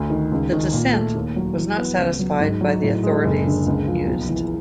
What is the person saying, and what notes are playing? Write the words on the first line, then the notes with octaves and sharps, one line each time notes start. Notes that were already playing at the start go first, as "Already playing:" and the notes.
The dissent was not satisfied by the authorities used.
Already playing: D2
D#3
C#2
D#3
A#2
A3
D#2
F#3
E3
B3
C#2
F#3
G#2
F#3
A2
G#3
F#1
D3
C#2
F3
B1
E3